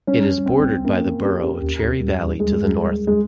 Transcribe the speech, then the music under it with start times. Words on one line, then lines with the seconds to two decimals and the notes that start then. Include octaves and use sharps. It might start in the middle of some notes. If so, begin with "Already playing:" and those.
It is bordered by the borough of Cherry Valley to the north.
0.07 G3 C#4
0.46 C2 C4
0.85 A#3 C#4
1.23 G4
1.62 D#2
2.00 G3
2.39 G3 G#3
2.78 G3
3.07 G#3